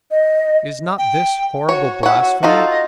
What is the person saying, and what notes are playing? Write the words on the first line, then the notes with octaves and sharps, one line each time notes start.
Is not this horrible blasphemy?
D#5
G5
F#4 C#5
E4 C#5 F#5
F#4
D#4 F4 F#4 A4
D#5